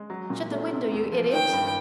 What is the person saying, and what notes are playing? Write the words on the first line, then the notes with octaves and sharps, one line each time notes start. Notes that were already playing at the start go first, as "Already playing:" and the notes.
Shut the window, you idiot!
Already playing: G#3
F#3
A#2
A3
C3
E2
F3
D#3 G5
G2